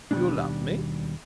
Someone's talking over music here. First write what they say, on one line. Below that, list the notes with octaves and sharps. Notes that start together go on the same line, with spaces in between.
"You love me?"
D#2 B2 G3 G#3 A#3 D4